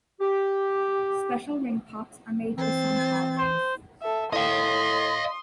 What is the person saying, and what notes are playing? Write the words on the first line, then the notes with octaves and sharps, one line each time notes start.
Special Ring Pops are made for some holidays.
G4
E3 C4 C5 A6
C5
A4 E5
A2 D#5 F5 C6 D#6